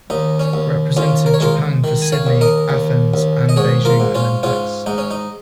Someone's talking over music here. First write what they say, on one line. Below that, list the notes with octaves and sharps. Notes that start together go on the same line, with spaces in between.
Represented Japan for Sydney, Athens, and Beijing Olympics.
D#2 D#4
C#4
D#2
D#2 C#4 F4
A#4
C#5
G#3 F4 A#4
D#3
G#5
C#5 F5
D#2
A#4 D#5
D#2
D#2
D#5
G#2 G#4 C#5
F4 A#4
G#2
C#4 F4
G#2 C#4 F4
G#2 D#4
C#4
D#4